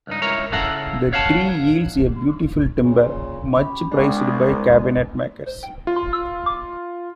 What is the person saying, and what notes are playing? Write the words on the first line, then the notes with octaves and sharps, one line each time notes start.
The tree yields a beautiful timber much prized by cabinet-makers.
C#2 G2 D#4
C#2 E4 A#4 C#5 A#5
C#3 E4 A4 F5 F#5 A#5
C#5 F5 F#5 A5
A#2 C#3
C#4 G4 B5
C2 G#3 B3 D4
F4